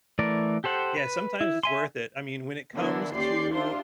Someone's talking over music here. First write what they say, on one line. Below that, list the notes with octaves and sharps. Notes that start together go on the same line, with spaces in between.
Yeah, sometimes it's worth it. I mean, when it comes to,
E3 A3 A#4 D5
G4 A4 C5 F#5
B4
E4
E5 G#5 C6
D3 E3 A#3 B3 D4 E4
D#2 C#4 G4 D5 C6 C7
D4 F4 G4 C5 E5 C6